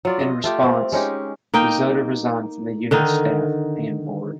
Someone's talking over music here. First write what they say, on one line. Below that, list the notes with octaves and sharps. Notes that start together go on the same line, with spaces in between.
In response, Pesotta resigned from the union's staff and board.
F#3 F4 D5
F4 D#5
A3 F4 G4
C4
G#3 C#4 D#4 G4
A#3 D#4 D#5 G5
D3 D#3 D#4